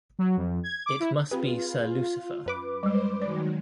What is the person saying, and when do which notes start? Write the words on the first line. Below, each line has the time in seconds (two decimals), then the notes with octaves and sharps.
It must be Sir Lucifer.
0.19 F#3
0.37 F2
0.63 G#6
0.86 D6
1.00 E4
1.31 C4 F4 G4 G#4 B4
2.46 F#2 B4 D6
2.83 G3 G#3 C5
3.22 D#3 F#3 G#3 D5